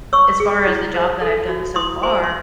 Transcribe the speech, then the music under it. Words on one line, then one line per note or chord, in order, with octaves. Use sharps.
as far as the job that I've done so far,
C#5 C#6 E6
G#4
E4
C5
A4
F#4
E4 C6 D#6
C5 G#5 C6
C6